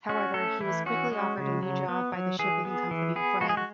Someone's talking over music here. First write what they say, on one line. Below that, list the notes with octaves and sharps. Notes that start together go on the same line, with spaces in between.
However, he was quickly offered a new job by the shipping company Fred.
C#4 F#4
A3 A4
E3 E4
C#4 F#4
G#3
C#3
F#3
B3
F#3
E3 G#4
B3
E3
B3 G#4
G#3 F#4
G#4
F#4